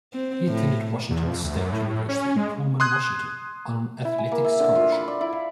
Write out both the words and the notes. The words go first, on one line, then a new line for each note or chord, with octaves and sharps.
He attended Washington State University in Pullman, Washington, on an athletic scholarship.
C4
A2
E2
F2
D2
F#2
A2
A2
C#4
G#3
C6 D#6 F#6 G#6
E4
G#5
A#3
E5
D3
F4
B5
D5
E4
F5